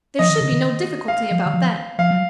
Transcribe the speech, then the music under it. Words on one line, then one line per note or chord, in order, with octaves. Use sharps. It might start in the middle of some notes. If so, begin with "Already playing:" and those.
There should be no difficulty about that.
F3 D#5
D#3
C#3
D#3
F5
F3
D#3
F3
F3 F5
F#3